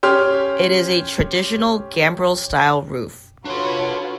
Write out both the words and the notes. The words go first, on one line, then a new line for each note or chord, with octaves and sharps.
It is a traditional gambrel style roof.
C#4 G4 C6 F6
D4 F4 F#4 A4 B4 C#5 C6